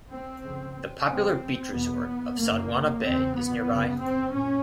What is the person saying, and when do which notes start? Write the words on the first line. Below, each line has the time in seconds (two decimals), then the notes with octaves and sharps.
The popular beach resort of Sodwana Bay is nearby.
0.10 C4
0.43 F2 C#3
1.08 F2 C#3 C4
1.72 E2 B2 B3
2.38 F#2 C#3 A#3
3.02 E2 C#3 C4
3.35 B3
3.67 F#2 C#3
4.00 C4
4.32 A#2 C#4